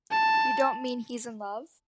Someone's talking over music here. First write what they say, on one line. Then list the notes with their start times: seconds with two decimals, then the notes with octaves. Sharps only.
You don't mean he's in love?
0.11 A5